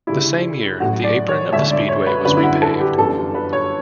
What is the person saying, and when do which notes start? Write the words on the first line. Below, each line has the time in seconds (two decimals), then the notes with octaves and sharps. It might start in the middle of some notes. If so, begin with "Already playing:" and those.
The same year, the apron of the speedway was repaved.
0.07 D2 C#3 G3 E4
0.80 A1 A2 F#3 F#4
1.04 D5
1.28 C#5
1.53 E1 D2 D3 E5
1.71 D5
1.89 C#5
2.07 B4
2.25 G1 F#2 D3 B4
2.37 E4
2.43 F#4
2.62 A4
2.80 G4
2.98 G1 F#2 E3 G3 A4
3.35 B4
3.53 C#5